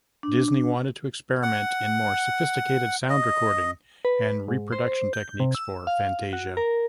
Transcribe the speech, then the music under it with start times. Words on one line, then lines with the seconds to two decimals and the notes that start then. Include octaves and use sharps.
Disney wanted to experiment in more sophisticated sound recording and reproduction techniques for "Fantasia".
0.23 D4
1.43 F#5
3.10 D#5
4.05 B4
4.48 G#2
4.72 C5
5.13 G6
5.40 C3
5.55 E6
5.87 F5
6.33 F#4
6.57 A#4